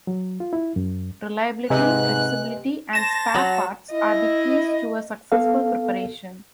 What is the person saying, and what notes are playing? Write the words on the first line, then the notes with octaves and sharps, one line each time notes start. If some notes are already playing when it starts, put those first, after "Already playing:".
Reliability, flexibility, and spare parts are the keys to a successful preparation.
F#3
F4
E4
F#2
G#2 C3 B4 D#5 G#5 F#6
C5 A5 A#6 E7
F#3 F#5
E4 D#5
B3 A4 F5